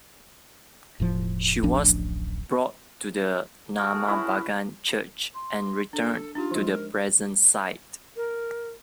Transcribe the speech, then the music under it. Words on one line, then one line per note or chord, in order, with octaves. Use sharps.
She was brought to the Namagbagan church, and returned to the present site.
E1 A2 F3
D1 A1 F3 D4
F#4 G#4 A#4
A3
C#4 E4 B4
C6
D4 A4
D4 D#4 F4 G4
F3 G#3
A#4
A#4